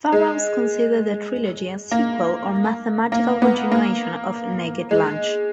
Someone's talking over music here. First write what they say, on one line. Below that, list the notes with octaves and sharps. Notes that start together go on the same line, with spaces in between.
Burroughs considered the trilogy a "sequel" or "mathematical" continuation of "Naked Lunch".
G#3
A#3
A#3
B3
A#3
G#3